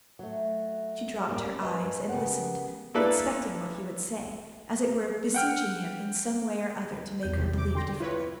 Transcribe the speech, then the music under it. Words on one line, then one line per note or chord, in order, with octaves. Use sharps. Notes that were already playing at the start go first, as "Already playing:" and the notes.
She dropped her eyes and listened, expecting what he would say, as it were beseeching him in some way or other to make her believe differently.
F#3 A3
G3 A#3 C#4 F4 G4
B4 D#5 G#5
C#3 B3 G4 A#4 F#5
A#3 D4 E4 A4 B4
F#5 G5 F6
E2 G6
G#1 D#2 C3
C3 D6
D3 G5 C6 A#6
E4 F4 B4 C#5